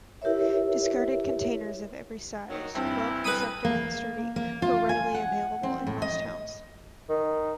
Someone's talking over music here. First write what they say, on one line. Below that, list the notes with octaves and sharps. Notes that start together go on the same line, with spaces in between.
Discarded containers of every size, well-constructed and sturdy, were readily available in most towns.
E4 G4 A#4 B4 C#5 E5
D#3 F#3
G2 E3 A3 C4 E4
B4 B5 D#6
A#3
A#3
F4
G#5
F#5
C4
A2
D#5
D#3